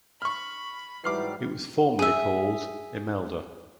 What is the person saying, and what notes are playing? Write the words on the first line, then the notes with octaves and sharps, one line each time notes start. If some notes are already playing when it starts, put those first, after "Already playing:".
It was formerly called Imelda.
B5 C#6 F6
G#2 E3 F#3 G3 D6 F6 C7
G#4 E5